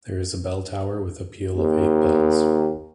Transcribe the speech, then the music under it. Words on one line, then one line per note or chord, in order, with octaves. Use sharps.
There is a bell tower with a peal of eight bells.
D#2